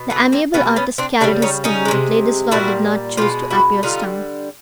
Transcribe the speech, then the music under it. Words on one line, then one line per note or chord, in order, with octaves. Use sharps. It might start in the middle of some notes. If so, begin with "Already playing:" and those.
The amiable artist carried his sting, but Ladislaw did not choose to appear stung.
Already playing: B2
A3 B3
A#3 C4
B2 G3 B3 C#4
B3 C#4
C4 D4
C#3 E3 G3 D4 E4
C#4 D#4
C#4 D#4
F3 G#3
C3
A#2 G3 E4 F#4
B2 G#3 F4 G4
E4 F#4
D3 G3 D#4 F4